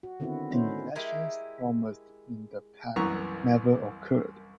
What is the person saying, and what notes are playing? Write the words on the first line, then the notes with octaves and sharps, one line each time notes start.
The elections promised in the pact never occurred.
F#4
D3 D#3 B3 C4 E4 F#4
B3 C#4 D#4 E4 F#4 C5
G#3 E4 G4 G#4 A#4
C2 F#2 E3 B3 A#5 C#6